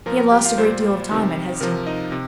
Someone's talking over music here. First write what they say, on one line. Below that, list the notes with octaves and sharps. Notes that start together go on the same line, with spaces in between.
He had lost a great deal of time at Hesdin.
A#2 F3 A#4 A#5
A#4 A#5
G4 G5
F4 F5
A#2 G3 C5
C3 D#3 G3
C3 F3 A#4
D#4 D#5
C3